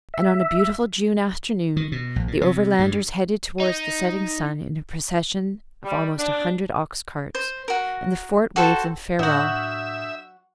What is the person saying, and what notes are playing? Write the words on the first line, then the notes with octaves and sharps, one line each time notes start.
And on a beautiful June afternoon the Overlanders headed towards the setting sun in a procession of almost a hundred ox-carts; and the fort waved them farewell.
E5
D#3
B2
A#1
A#2
C3
G2
D#4
G3
D4
C5
F#4 A#4
F#4 A4 C5 G5
A2 F#3 D4 F#4 E5 D#6 G6